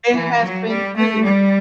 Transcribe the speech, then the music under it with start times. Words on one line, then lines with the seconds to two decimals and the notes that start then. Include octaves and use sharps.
It has been, too.
0.12 E3
0.40 F#3
0.69 G3
0.97 A3
1.25 G3